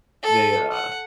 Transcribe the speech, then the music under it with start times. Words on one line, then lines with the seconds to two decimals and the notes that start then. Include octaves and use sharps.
They, uh,
0.23 A4
0.73 F#5